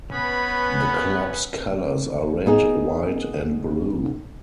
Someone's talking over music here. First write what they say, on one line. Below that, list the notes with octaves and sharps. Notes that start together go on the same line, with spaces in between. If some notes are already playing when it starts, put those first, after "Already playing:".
The club's colors are red, white and blue.
B3 C#4 B4 B5
B3 D#4 G#4